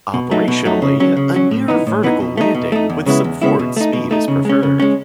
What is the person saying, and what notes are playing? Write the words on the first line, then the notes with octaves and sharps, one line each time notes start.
Operationally, a near-vertical landing with some forward speed is preferred.
B2
F#3 A3 D#4
B2
F#3 A3 D#4
C#3
F#3 C#4
C#3
F#3 C#4
A2
E3 B3 D#4
A2
E3 B3 D#4
B2
A3 D#4
B2
A3 D#4
E2
C#3 G#3 B3 E4
E2
C#3 G#3 B3 E4
B2
A3 D#4
B2
A3 D#4
C#3
G#3 C#4
C#3
G#3 C#4